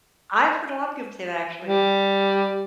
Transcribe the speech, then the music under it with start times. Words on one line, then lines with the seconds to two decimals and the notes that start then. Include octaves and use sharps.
I've heard a lotta people say that, actually.
1.64 G3